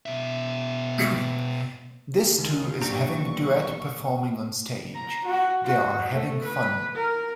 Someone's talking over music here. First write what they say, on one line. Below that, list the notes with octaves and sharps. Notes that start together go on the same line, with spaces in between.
This two is having duet performing on stage, They are having fun.
B2 E5
C#2 D#3 F4
B1 A#2 C4 D4 G4 A#5 C#6
A#5
F#4
F#4
A3
B4
A#4